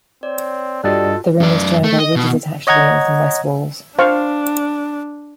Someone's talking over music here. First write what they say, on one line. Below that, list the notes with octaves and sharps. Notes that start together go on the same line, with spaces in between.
The rim is joined by ridges attached to the north and west walls.
C4 C#5 D5
G2 G3 F4 F#4 A4 D#5 F#6 A6
F#2 D5
A3
D#5
B2
C#5 D#5 F#5 A#5 G#6
D4 C5 F5 C#6